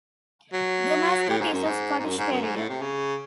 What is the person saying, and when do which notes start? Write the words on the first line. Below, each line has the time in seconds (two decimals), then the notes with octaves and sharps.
The mascot is a Scottish Terrier.
0.53 F#3
1.29 A2
1.41 G#2
1.53 F#2
1.65 G#2
1.99 G#2
2.05 F#2
2.18 G#2
2.31 F#2
2.44 G#2
2.56 A2
2.69 C3
2.82 C#3